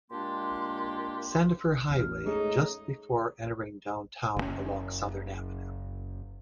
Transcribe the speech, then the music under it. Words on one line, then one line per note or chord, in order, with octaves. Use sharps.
Sandifer Highway just before entering downtown along Southern Avenue.
A#2 G#3 A#3 D4 G4 C6
A1 E2 F6
G#3 A3 C#4 D#4 G#4
F#1 C3 C#4